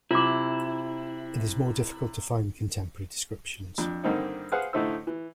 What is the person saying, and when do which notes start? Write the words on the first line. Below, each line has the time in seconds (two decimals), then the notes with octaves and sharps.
It is more difficult to find contemporary descriptions.
0.11 C3 E4 F4 D6
3.78 F2 D4
4.04 G2 D3 D#3 A#3 C4 D#4
4.52 G#4 B4 C5 F5 F#5
4.73 A2 D3 A3 D#4 C5 E6
5.07 E3